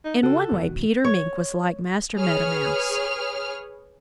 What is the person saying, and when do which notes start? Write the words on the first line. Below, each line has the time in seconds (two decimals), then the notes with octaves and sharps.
IN one way Peter Mink was like Master Meadow Mouse.
0.04 D#4
0.23 C#3 F#4 A4
0.51 E1 B2 D#3
1.04 C#5
2.17 G#4 B4 C#5 F6